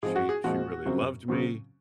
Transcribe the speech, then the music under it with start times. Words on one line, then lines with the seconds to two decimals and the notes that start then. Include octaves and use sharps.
she she really loved me,
0.03 G#2 F3 C4 G#4
0.16 F#4
0.29 G#4
0.44 A#2 F3 G#3 C4 F#4
0.86 F#2 C#3 F#3 C4
1.28 C#3 F#3 C4